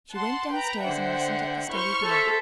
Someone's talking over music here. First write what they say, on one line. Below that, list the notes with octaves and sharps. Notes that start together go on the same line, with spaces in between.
She went down-stairs, and listened at the study door.
F#5 A5 C6
B4 G5 A#5
D3 C5 E5 F#5 G5
E4 C5 C#6 F6 G6
A4 C5 E5